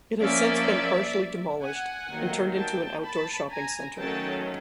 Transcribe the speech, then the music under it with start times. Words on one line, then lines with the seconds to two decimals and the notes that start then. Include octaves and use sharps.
It has since been partially demolished and turned into an outdoor shopping center.
0.21 F3 A#3 C#4 D5 E5
1.62 F#5 G#5
2.09 D#3 F#3 A#3
2.56 G5 A5
3.03 A5 B5
3.50 G#5 A#5
3.98 D#3 F#3 A3 C#4 G5 A5